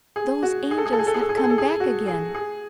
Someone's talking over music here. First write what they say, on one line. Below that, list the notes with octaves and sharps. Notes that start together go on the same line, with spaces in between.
Those angels have come back again.
G#4
F#4
G#4
A4
G#4
A4
G#4
A4
G#4
A4
G#4
A4
G#4
A4
G#4
F#4
G#4
G#4